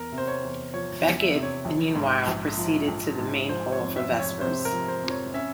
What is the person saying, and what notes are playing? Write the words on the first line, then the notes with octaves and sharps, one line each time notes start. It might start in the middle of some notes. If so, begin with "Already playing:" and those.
Becket, meanwhile, proceeded to the main hall for vespers.
Already playing: E2 A#4
C3
C5
C#5
E2
F3 C#5
E2
E5
C3
C#5
A#1
G#2
A#1
F3
A#1
G#2
F3 C5
C#5
F2
E5
F1
C#5
C3 C5
A#4
F3
C5
F2
C#5
C#4 E5